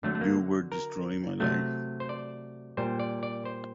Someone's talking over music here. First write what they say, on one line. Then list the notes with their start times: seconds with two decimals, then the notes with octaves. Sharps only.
You were destroying my life.
0.03 D3 F#3 A3
0.15 A3
0.21 A#3
0.72 A#4
1.40 C3 F#3 A3
2.00 C5
2.09 D5
2.77 A#2 G3 C5
3.00 D5
3.23 D5
3.45 C5